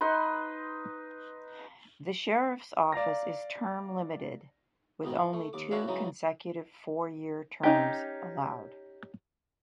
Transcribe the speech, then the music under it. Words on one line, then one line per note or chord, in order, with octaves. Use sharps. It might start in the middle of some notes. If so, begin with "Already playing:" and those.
The Sheriff's office is term limited with only two consecutive four year terms allowed.
D#4 B4 C6
D5 F5 A#5 A#6
E2 G#2 B2 D#3
E3
A3
D#2 D6
D4 F#4 B4 C#5 E5 F5
C#3 E3 F#3 G#3 D#4
C#4 D#4 G4